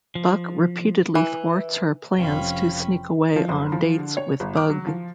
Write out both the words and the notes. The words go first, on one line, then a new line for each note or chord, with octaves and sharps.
Buck repeatedly thwarts her plans to sneak away on dates with Bug.
F3
E3
F1 F3 C4 C#4 F5 B5
F3
F#1
F3
D3
C#5
G1
D6
F#3
F3